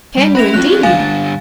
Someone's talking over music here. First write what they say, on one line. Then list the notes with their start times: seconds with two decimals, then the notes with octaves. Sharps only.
"Can you, indeed!"
0.17 G3
0.35 C#4 E5 B5 A#6 F7
0.54 G#3 C4 F4 F#6
0.83 G2 D3 F5 G#5 A6